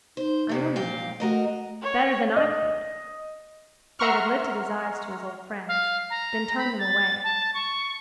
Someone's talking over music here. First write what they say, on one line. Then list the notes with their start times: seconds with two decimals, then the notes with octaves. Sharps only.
"I know you will, better than I could." David lifted his eyes to his old friend's, then turned them away.
0.17 D#4 C5
0.49 F2 C3 F3
0.76 A#2 F3 F5 G5
1.20 A3 F#4 A#4 D#5
1.83 C#5
2.36 D#5
3.99 E5 F#5 A#5 C6 C#6 F6
5.68 F5
6.10 A#5
6.58 B5
6.79 A6
7.24 A5
7.54 C#6